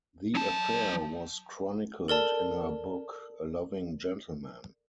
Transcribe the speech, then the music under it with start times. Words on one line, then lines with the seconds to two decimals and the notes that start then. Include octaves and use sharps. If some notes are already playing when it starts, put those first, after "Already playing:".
The affair was chronicled in her book "A Loving Gentleman".
0.35 F#3 A5
2.08 A4 A#4 D5 A5